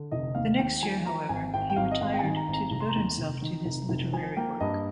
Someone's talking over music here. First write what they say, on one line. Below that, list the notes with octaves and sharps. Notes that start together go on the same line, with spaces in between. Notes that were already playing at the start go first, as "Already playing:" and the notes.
The next year, however, he retired to devote himself to his literary work.
Already playing: D3
F1 D#5
D#2 F5
D#2 G5
F3 G#5
F3 A#5
G#1 G#5
G#1 G5
G5
G#1 F5
D#5
G#1 F5
G5
D#3 G#5
A#5
G#1 A#5
F1 A#5
C6
A#5
D#2
F1
D#3
F1
F1
F3 G#5
A#3 G5
G2 D#5